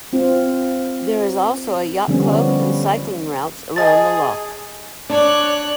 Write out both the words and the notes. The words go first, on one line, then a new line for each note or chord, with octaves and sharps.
There is also a yacht club and cycling routes around the loch.
C4 F4
D3 F3 G3 B3 C#4
G#4 D#5 A5 A6
D4 C#5 D5 F#6